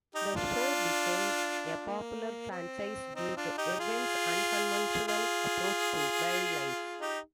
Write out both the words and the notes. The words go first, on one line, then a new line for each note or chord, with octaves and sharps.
The show became a popular franchise due to Irwin's unconventional approach to wildlife.
D#4 G4
D4 F4
A#3
C4
C4 D#4
D4 F4
D#4 G4
F4 G#4
F4 G#4
D#4 G4